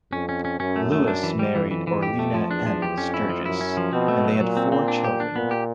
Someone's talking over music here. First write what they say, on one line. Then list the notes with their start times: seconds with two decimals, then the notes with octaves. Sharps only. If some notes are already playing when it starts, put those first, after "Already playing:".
Lewis married Orlina M. Sturgis and they had four children.
0.13 F2 C#4
0.29 C#4
0.45 C#4
0.60 F#2 C#4
0.76 A3
0.92 A3
1.08 D4
1.23 E3
1.39 G3
1.55 F2 E3
1.71 E3
1.87 E3
2.03 F2 G4
2.19 A3
2.34 F3
2.50 E2 D4
2.66 F3
2.82 G4
2.98 F2 C#4
3.14 E4
3.29 F3
3.45 F#2 E4
3.61 C#4
3.77 F3
3.93 B2 C4
4.08 A3
4.25 F#3
4.40 A#2 F#3
4.57 C4
4.72 C4
4.88 D4
5.04 G4
5.20 D4
5.35 A#2 B3
5.51 G4